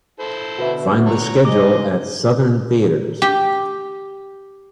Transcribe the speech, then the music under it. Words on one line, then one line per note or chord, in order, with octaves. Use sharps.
Find the schedule at Southern Theatres.
E4 A4 C5
B2 D3 F#4 B4 E5
C#5 A#5
G#3 D#5 D6
G4